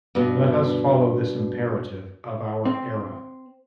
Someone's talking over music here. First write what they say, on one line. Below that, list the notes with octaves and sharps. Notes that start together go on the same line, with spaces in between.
Let us follow this imperative of our era.
G2 B2
C4